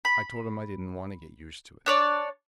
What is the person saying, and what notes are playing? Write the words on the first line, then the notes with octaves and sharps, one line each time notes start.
I told him I didn't want to get used to it.
B5
D4 C#5 D5